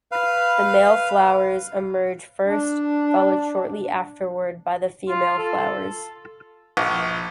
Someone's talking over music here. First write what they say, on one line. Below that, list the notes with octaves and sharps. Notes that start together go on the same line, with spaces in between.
The male flowers emerge first, followed shortly afterward by the female flowers.
B4 F5
D4
F4
A4
A#1